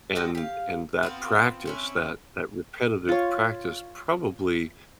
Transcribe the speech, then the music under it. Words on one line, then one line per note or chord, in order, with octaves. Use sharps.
And and that practice, that that repetitive practice probably
G#3 F#4 G4 A5
G4 F5
B3 C4 F4
C4 C#4 E4
F4 C#5